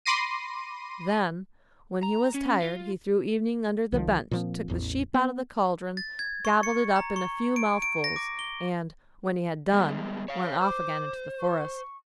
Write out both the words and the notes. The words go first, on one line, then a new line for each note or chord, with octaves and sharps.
Then, when he was tired, he threw Evening under the bench, took the sheep out of the cauldron, gobbled it up in a few mouthfuls, and, when he had done, went off again into the forest.
B5 C6 D6 A#6 C7 D#7
A#5
C#4
F4
C2 D#3 F3
A#2 F3 C4
D#1 A1 E2
B3
A6
G#6
C#6
C#7
A#5
C#6
D7
D7
A#6
D6
G7
G3 G#3 B3
C#5 F5
C5 D6
C#6